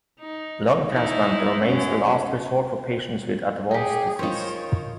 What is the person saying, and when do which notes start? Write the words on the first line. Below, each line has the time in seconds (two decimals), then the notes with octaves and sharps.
Lung transplant remains the last resort for patients with advanced disease.
0.20 D#4
0.90 D#4 E4
1.65 F#2 C#4
3.71 D#4 G4 G#4
4.19 D#4 F4 A#4 C5 C#5